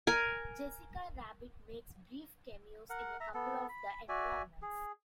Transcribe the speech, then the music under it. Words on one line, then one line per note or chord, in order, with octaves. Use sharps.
Jessica Rabbit makes brief cameos in a couple of the environments.
A#4 G#5
A#4 F#5
E5 A#5
B3 A4
B5
F#4 D5 E5 G#5
G#4